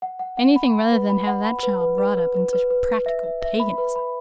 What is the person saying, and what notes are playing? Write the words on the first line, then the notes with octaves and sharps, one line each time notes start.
Anything rather than have that child brought up in such practical paganism.'
F#5
F#5
F#5
B5
B5
B4
B5
F#5
B5
B4
B4
B4
B4
B4
B4
B4
B4
E5
E5
E5
B5
B4
B5